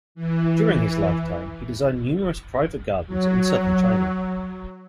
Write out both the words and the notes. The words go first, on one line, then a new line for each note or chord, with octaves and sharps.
During his lifetime, he designed numerous private gardens in Southern China.
E3
F#3